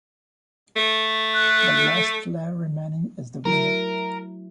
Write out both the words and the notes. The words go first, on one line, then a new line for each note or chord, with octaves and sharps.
The last player remaining is the winner.
A3
F#6
F#3 A3 E4 A#4